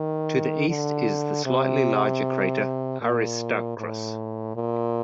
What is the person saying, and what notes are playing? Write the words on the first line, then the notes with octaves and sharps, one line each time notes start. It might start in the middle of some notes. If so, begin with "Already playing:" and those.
To the east is the slightly larger crater Aristarchus.
Already playing: D#3
D3
C3
A#2
A2
A#2